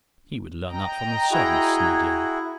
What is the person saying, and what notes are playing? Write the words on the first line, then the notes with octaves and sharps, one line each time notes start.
"He would learn that from the servants, my dear."
D#5 G5 A#5
E4 F#4 G#4